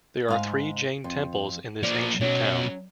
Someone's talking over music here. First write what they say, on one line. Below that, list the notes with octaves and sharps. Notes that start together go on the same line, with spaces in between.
There are three Jain temples in this ancient town.
G#2 F5 G#5
F2
A#2 F3 D5
B1 F#3 C#4